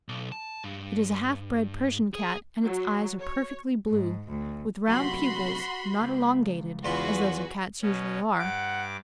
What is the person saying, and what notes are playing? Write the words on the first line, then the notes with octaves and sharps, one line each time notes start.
It is a half-bred Persian Cat, and its eyes are perfectly blue, with round pupils, not elongated, as those of Cats usually are.
B1
A5
G2
G#4
F#3
C#5
G#2
D2
F#2 C3 F#4 B5 C6
C#2
E2 F4 F#4 G#4 B4 B5
B2 C#4
G2 F#5 D6